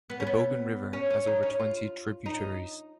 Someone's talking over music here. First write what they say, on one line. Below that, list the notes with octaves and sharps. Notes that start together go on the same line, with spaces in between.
The Bogan River has over twenty tributaries.
B3
C#4
B3
C#4
C#4
D#4
C#4
F4
D#4